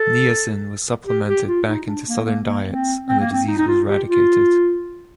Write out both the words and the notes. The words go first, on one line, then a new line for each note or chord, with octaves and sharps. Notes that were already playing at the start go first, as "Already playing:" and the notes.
Niacin was supplemented back into Southern diets and the disease was eradicated.
Already playing: A4
G4
G4
F4
D#4
D4
A#3
A#3
A#3
C4
C4
A#3
C4
D#4
D#4
F4
G4
F4